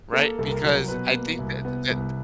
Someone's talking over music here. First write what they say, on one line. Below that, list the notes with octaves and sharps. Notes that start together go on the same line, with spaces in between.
Right? Because I think that that
A#3 A4
C2 A4
A#4
F#3
B2 B4
A#3
C2
B3
C2